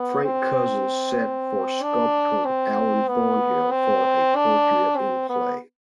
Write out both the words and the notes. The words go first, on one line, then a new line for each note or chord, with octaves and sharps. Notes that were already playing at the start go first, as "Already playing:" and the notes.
Frank Cousins sat for sculptor Alan Thornhill for a portrait in clay.
Already playing: B3
C4
D4
C4
B3
C4
D4
C4
B3